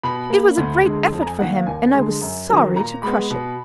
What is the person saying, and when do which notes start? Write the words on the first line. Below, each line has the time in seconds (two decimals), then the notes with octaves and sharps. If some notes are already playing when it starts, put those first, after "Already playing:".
It was a great effort--for him--and I was sorry to crush it.
0.03 B2 B5
0.30 A#3
0.57 D2
0.84 D3 G#3
1.12 F2
1.22 A#5
1.27 G#5
1.39 D#3 A#3 F#5
1.53 F5
1.66 D#2 G#5
1.94 D3 G#3
2.21 F#2
2.49 D#3 F#3
2.76 A#2 A#5
3.03 G#3 B3 B5
3.31 B2